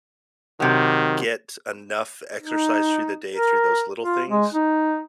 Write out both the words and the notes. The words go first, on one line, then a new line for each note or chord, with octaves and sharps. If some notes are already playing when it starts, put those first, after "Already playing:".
get enough exercise through the day through those little things,
C3 D#3 F#3
D#4
A#4
F4
G#3
D#4